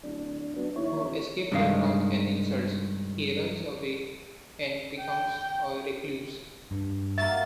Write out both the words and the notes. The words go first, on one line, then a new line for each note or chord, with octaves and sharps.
To escape their wrath and insults, he runs away and becomes a recluse.
D1 D4
F#3 B3 D4
D#2 E4 C#5
C3
G2 C3 D#3 G#3 F5
G5
G2
A#3 F#4 E5 A6